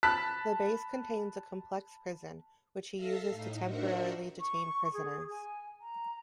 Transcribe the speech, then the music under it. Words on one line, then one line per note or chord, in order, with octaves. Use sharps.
The base contains a complex prison, which he uses to temporarily detain prisoners.
A5 B5 F#6 B6
A4 E5 F5 A#6 C7
A2 D#4
D4 F#4 A#4 C5 E5 F#5
C#6
G#4
G#5
A#5